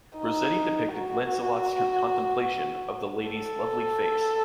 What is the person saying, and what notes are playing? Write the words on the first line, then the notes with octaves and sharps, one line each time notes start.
Rossetti depicted Lancelot's contemplation of the Lady's "lovely face".
D#4
F#4
A4